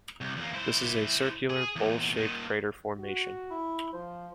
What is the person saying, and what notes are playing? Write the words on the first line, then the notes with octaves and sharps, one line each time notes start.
This is a circular, bowl-shaped crater formation.
C2
E2 A#3
E4 C5
G#4
E2 A#2
A#2 D#3
F#4
E4
F3 C5